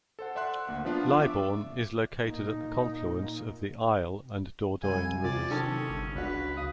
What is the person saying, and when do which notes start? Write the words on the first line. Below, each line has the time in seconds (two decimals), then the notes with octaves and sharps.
Libourne is located at the confluence of the Isle and Dordogne rivers.
0.19 A4 C5 F#5
0.35 D5 E5 F#5 C6 F#6
0.67 D2 A#3 F#5
0.85 F3 B3 D4 F4
1.20 E5 C#6 D6
2.25 A#2 D#4
4.83 C2 G#5
5.24 C3 F4 D5
5.51 D#3 C#4 A4 A5
5.90 G1
6.16 C#2 D4 F#4 B4
6.57 F5 D#6